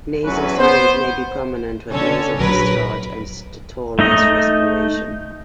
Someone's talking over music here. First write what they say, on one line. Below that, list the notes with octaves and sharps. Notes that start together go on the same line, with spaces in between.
Nasal signs may be prominent, with nasal discharge and stertorous respiration.
E2 F#3 C#4 F#4 B4
B3 C5
D3 C#4 A4 C#5
A#1 F#3 A#4 B4
A3 D#4 D#5